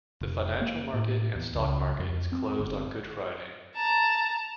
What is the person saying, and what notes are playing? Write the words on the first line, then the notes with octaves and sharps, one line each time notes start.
The financial market and stock market is closed on Good Friday.
F1
A#3
A2
E2
C#2
F2
C4
G1
A5 A#5